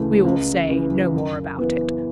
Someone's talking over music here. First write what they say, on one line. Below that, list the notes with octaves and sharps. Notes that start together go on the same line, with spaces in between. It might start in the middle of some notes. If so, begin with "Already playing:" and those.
We will say no more about it.
Already playing: D2 C#3 E3 A3
C#2
C#3 E3
F#2
E3 B3